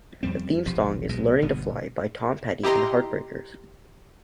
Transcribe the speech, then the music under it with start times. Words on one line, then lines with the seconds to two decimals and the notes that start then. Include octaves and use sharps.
The theme song is "Learning to Fly" by Tom Petty and the Heartbreakers.
0.23 F2 G3 C4
0.66 E1 B1 C3 F3
1.09 B1 B2 G#3
1.42 G1 B2 B3
2.63 E4 G4 D#5 A#5 C6